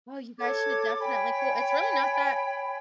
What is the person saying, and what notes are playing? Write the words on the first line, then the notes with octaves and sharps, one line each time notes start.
Well, you guys should definitely cool it's really not that
A4 C#5 D6 G#6
C#5 G5 G#5 B5